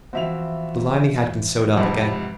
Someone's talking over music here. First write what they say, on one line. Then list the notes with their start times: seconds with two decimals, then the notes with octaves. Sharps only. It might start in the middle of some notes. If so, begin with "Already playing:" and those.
The lining had been sewed up again.
0.13 E3 F3 C4 F#4 E5 F7
1.77 F2 G#2 C3 F#4 B4